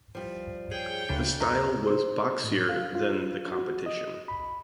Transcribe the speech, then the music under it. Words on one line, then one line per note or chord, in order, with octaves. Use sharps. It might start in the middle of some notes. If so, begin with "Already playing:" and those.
The style was boxier than the competition.
F3 G3
G#4 C#5 G5
D2 C#3 A3 D4
F#2 A#5
C5
A2
F5
F4
F#4
D#5
B5